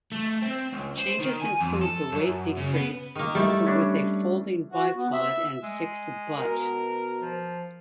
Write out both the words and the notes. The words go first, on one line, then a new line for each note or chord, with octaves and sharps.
Changes include the weight decrease from with a folding bipod and fixed butt.
A3
C4
C#2
C5
D#3
G#5
F2
A4
F#2
C#3
B3
D#3 A#3
D#3 G3 A3 E4 A4
C#4 D4
F#4
B3
E5
G#3
B2 A#4
F3